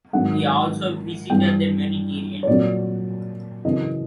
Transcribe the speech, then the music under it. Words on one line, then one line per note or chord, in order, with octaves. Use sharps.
He also visited the Mediterranean.
G#2 D#3 F#3 F#5
G2 E3 G3 G5
C#5
A#2 F#3 D5
F#2 C#3 E3 D#5